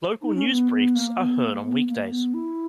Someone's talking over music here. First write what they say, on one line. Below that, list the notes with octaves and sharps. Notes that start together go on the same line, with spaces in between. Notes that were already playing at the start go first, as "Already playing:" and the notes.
Local news briefs are heard on weekdays.
D#4
C#4
B3
B3
A#3
B3
A#3
B3
A#3
B3
E4